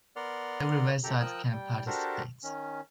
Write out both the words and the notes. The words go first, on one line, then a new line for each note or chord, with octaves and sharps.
Every website can participate.
B3 A#4 D5 F#5 C6 F6
F#2 G4 A4 G5 A#5
F3 A#4 G5 D#6 E6 F#6
G3 G5
D4 F#4 G4 A4 A#4 C5
D#3 C#4